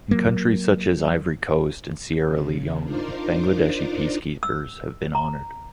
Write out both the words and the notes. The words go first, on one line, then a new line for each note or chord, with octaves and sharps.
In countries such as Ivory Coast and Sierra Leone, Bangladeshi peacekeepers have been honoured.
F#3 A#3
C#3
D4 D#4 F4 A#4 C5 D5
E6
A#5